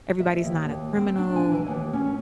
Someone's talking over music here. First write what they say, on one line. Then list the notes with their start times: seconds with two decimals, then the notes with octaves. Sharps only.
everybody's not a criminal.
0.20 E5
0.44 D#2
0.67 D#2
0.96 C4
1.18 D4
1.36 G#5
1.51 E3
1.66 D#2
1.93 C#4